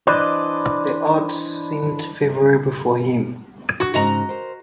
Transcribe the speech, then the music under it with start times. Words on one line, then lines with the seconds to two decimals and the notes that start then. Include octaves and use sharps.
The odds seemed favourable for him.
0.07 E3 D4 B4 C5 D5 D#5
3.80 F#4
3.94 G#2 C#3 F#4 D#5 A#5
4.29 A#4 C5